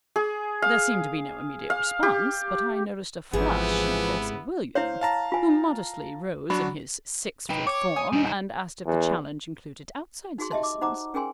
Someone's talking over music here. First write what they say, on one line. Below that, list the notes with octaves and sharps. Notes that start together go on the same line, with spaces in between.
There seemed to be no immediate response, but I noticed a flush in the face of William, who modestly rose in his six-foot form and asked if the challenge included outside citizens?
G#4
F5
F5
G4
G#1 G#2 C3 E3 F3 B3 E4 G#4
E4 C5 C#5 F5
F5 A5 A#5
F4 G#5
F#3 D4 F#4 B5
D#4 B4 G5
C#5 D6
G#5 D#6
G3 D#4
E2
D#4 F#4 G#4 C6
G4 D#5 E5 A5 C6
D6
D#4 C5 F#5 A#5 D6
C#4 G#4 A#4 G5 G#5 C6